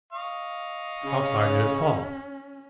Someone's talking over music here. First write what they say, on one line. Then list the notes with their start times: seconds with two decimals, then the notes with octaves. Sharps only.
How far did it fall?
0.13 D#5 F5 C#6
1.05 C#3 C#4